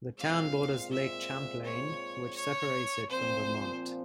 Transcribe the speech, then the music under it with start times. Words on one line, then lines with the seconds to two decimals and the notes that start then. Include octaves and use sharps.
The town borders Lake Champlain, which separates it from Vermont.
0.17 A#2 G#3 C4 F4 C5 F5
0.91 E5
1.64 C#5
2.36 C#5
3.09 A#2 F3 C4 F4 C5